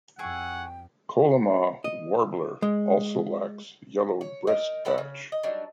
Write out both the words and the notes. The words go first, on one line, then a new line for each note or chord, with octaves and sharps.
Colima Warbler also lacks yellow breast patch.
F2 E4 G#4 F#5 G5 C#6
D#5
G#3
C#5
D#4 A#4
A4 B4 D5 F#5
C#3
D#5
F#3 G3 D4 D#4